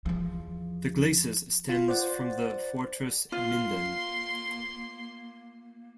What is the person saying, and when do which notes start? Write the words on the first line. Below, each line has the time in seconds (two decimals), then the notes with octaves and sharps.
The "Glacis" stems from the Fortress Minden.
0.06 E2 F3
1.69 F4
1.88 C5 D5 F#5 A6
3.32 A#3 F4 C6